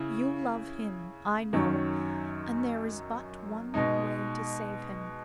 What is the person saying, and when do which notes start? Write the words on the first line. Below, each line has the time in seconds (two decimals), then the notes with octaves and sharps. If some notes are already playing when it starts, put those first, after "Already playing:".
You love him, I know, and there is but one way to save him.
Already playing: C#3 E4
1.53 F#2 D#3 F#3 C#4
3.74 B2 G#3 D#4